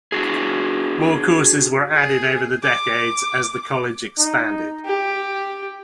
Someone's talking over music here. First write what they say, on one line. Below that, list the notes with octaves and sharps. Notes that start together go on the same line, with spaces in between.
More courses were added over the decades as the college expanded.
D4 F#4 G#4
G#4
D6
D#4
G4